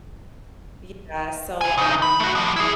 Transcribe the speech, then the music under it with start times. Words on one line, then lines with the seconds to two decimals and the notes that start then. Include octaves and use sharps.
yeah. So, um
1.61 G3 G#5
1.78 C#3 D#4
2.02 B5
2.20 A3 F#4
2.35 F3 G3
2.56 E4 G#4